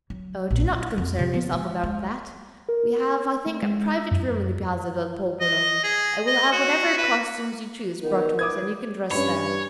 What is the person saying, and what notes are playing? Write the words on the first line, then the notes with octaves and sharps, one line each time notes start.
"Do not concern yourself about that; we have, I think, a private room in the Piazza del Popolo; I will have whatever costumes you choose brought to us, and you can dress there."
F#3
A#1
F3
F2
C3
B3
G#3
G#3
A#4
A3
G#3
E6
F#2
D#5
G#4
D#5
F#4
B4
D#3 B3 D#4 A#4
B4 D6 D#6 G#6
G2 C#4 B4 C#5 B5